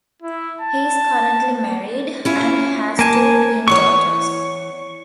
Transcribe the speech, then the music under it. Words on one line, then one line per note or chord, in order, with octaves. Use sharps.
He is currently married, and has two twin daughters.
E4
A5
C#4 E4 F4
A#3 G#5 A5
E2 E3 C#5 C#6